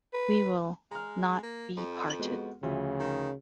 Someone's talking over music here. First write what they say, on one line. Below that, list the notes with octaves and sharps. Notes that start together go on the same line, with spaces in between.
We will not be parted.
B4
G#3 A#5 F6
A#3
F2
G#3 B3 F#4
D2 C#3 F3 E5
D#3